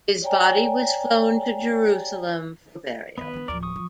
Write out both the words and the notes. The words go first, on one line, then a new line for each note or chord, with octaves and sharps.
His body was flown to Jerusalem for burial.
C#5 D5 G5 G#5 A#5
D#3 B3 D#4 B4
D#3 D4
D1 F3 A#4 D5
C#6 D#6
F3